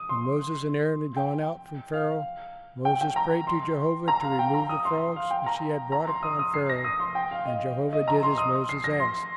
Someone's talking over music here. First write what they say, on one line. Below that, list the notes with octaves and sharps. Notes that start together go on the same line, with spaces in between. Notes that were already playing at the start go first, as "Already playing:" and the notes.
When Moses and Aaron had gone out from Pharaoh, Moses prayed to Jehovah to remove the frogs which he had brought upon Pharaoh; and Jehovah did as Moses asked.
Already playing: D#6
C6
G5
F5
G5
G5
A#5
C6
A#5
F5
G5
A#5
D#6
C6
F5
G5
A#5
A#5
C6
D#6
D#6
C7
A#6
D#6
C6
G5
F5
D#5
D#5
A#5
C6
D#6
C7
A#6
C6